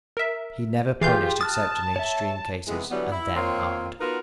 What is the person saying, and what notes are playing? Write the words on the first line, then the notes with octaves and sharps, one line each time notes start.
He never punished except in extreme cases, and then hard.
A#4 E5
E3 F4 G4 G#4 F5 G6
A5 D#6 F6 F#6 A6
C#5 E5
C3 E3 G#3 B3
D3 E3 F#3 G3 B3
E4
D#3 A#3 C4 F4 C#5
B3 D#4 F4 F#4 A#4 B4